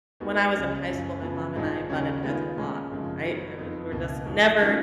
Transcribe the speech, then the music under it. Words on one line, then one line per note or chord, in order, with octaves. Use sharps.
when I was in high school, my mom and I butted heads a lot, right? I wa we were just never
D#2 D#3 G#3 B3 F#4
C#2 C#3 G#3 C#4
F#1 F#2 F3
C#3 F3 B3
A#1 G#2 F3 G#3 D#4
D#2 C#3 F#3 C#4
D#3 G#3 B3 F4
A#2 G#3 C#4
G#1 F#2 C#3 F3 G#3
D#3 F#3 B3
F2 F3 B3 D#4
C#2 B2 A#3
G#1 G#2 F3
D#3 F#3 C#4 F4